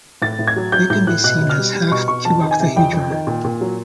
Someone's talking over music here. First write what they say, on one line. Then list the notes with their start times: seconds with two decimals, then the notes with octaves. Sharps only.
It can be seen as half a cuboctahedron.
0.22 A2 A6
0.39 A2
0.47 G#6
0.56 F#3
0.72 F#3 G6
0.90 A2 G6
1.07 A2 F#6
1.24 B2 F#6
1.41 B2
1.49 F6
1.57 G3
1.75 G3
1.91 B2 C#6
2.08 B2 C#6
2.25 F2 A5
2.43 D#3
2.51 G#5
2.59 C3
2.76 F2 G5
2.93 F2
3.11 D#3
3.27 A#2
3.44 A#2
3.61 F#3